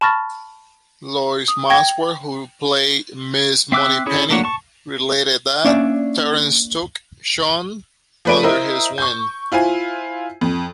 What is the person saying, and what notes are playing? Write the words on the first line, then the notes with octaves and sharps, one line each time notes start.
Lois Maxwell, who played Miss Moneypenny, related that Terence took Sean under his wing.
A5 B5 C#6 F6 A6 A#6
D#6
G5 G#6 A#6
C4 E5 D6 E6 F#6
C#4 E4 G#4 C#5
A3 A#3 D4 F#4 C#5
A5 C#6
A#3 C#4 D4 D5 E5
F3 A3 B4 D5 D7
E4 A#4 C5 D#5 E5
C#6 G6
E4 F4 C5 G#5
F2